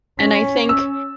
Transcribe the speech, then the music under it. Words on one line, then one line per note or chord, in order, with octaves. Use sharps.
and I think
C#4 B6
E6